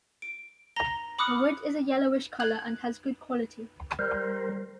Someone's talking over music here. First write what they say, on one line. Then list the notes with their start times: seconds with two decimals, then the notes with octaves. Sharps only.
The wood is a yellowish color and has a good quality.
0.22 D7
0.76 A#5 A#6 G7
1.19 B5 D6 D#6 F6 F#6 C#7
2.40 F#6 G#6 F#7
3.99 G3 A#4 C5